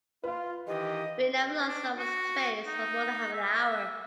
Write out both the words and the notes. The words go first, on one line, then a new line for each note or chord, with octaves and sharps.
We never lost someone’s trace or more than half an hour.
F4 B4 F5
D#3 E3 G4 D#5
D4
F#4
D#4
E5
E5